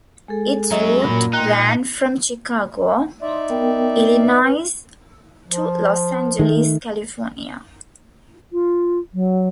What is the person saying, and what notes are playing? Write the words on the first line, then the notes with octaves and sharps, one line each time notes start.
Its route ran from Chicago, Illinois to Los Angeles, California.
G#3 G#4 A4
F#2 F#3 D#5 E5 A#5
A#2 A#4 B5 A#6
D#4 G5 A#5 C6 F#6
D#4 D5 E5 C6
B3 A#4 G5
B4
F3
D#3 A3
F4
F#3